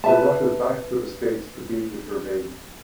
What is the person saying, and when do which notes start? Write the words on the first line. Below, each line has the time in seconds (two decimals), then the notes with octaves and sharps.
She rushes back to the states to be with her baby.
0.04 B4 E5 A5